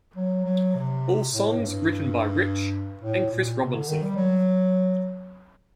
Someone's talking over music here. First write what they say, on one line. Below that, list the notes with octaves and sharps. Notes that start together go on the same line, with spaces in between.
All songs written by Rich and Chris Robinson.
F#3
F#3
C3
A2
G2
A2
A#2
C3
D3
D#3
G3
F#3